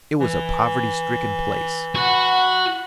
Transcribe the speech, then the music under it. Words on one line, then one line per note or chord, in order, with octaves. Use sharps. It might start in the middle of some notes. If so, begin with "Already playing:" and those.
It was a poverty stricken place.
E3
F#4 F#5 B5